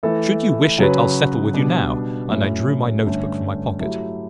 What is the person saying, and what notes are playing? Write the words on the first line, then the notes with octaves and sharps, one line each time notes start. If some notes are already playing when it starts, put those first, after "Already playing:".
'Should you wish it, I'll settle with you now,' and I drew my note-book from my pocket.
E3 A3 E4 A4
C#3 F#3 C#4 F#4 B4
B2 G3 D4
A2 F#3 A3 C#4 E4
G2 D3 A3 C#4
F#3 A3 E4 G4